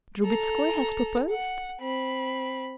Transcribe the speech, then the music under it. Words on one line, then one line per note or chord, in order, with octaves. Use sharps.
"Drubetskoy has proposed?"
A4 A#5
F#5
C4 B5